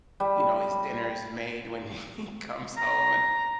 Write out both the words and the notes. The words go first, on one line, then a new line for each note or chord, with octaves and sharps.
you know, his dinner is made when he comes home, and
G3
A#5